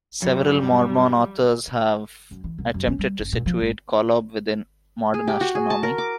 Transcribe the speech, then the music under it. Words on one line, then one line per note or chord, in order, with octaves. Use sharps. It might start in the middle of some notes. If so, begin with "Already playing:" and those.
Several Mormon authors have attempted to situate Kolob within modern astronomy.
G2 F#3 G3
F#2
E3
C2
F#2
C#4
G3
F#1
A#2
F3
G#1
G#4
G4
F#4
G#4
A5
A#4
D6